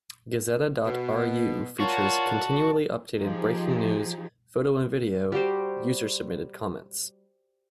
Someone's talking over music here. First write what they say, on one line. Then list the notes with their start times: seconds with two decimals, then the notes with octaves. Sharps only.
Gazeta dot ru features continually updated breaking news, photo and video, user-submitted comments.
0.84 B2
1.80 F4 F#4 A#4 C#5 D5 A5
3.20 F3 D#4 G4 G#4
5.32 G3 F#4 G4 C5